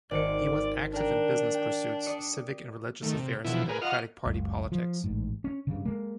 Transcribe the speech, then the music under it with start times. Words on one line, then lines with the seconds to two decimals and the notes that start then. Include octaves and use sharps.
He was active in business pursuits, civic and religious affairs and Democratic Party politics.
0.11 G#1 C5 D5 C#7
0.93 D4 A#4 G5
1.54 G5
2.06 D5 D#6 C#7
3.03 D#3 A3
3.16 C3
3.45 B2 E3 F3 E4
3.69 G#4 A#4 B4
3.82 F4 D#5 F#5 F6
4.26 F#1 C#2
4.72 F3
5.04 A1 G#2
5.44 C#4
5.67 G2 C#3
5.85 G#3 A#3